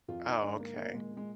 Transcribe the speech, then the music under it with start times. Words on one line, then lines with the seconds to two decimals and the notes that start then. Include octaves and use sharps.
Oh, okay.
0.08 F2 F4
0.25 D#3 D#4
0.43 G#2 D4
0.59 D#3 A#3
0.77 D#3 A#3
0.94 A#2 G#3
1.11 A#2
1.17 G#3